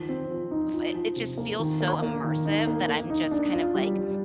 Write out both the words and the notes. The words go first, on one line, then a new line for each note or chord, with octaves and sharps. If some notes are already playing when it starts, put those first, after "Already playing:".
f it it just feels so immersive that I'm just kind of like
Already playing: D#3 F3
C4
F3
D#4
F3
F3
C3
A#3
D#3
A#3
A#3
D#3
D#4
A#3
A#3
D#4
D4
F4
G3
G3